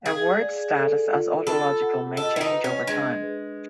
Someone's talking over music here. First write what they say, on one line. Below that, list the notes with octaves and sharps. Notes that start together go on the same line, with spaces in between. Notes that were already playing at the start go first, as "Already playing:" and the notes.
A word's status as autological may change over time.
G#4 F5
D5
A4
F4
A4 B5
F#5
A4 D#5
E4
D#4
B4
C#4
G#3 D4
B4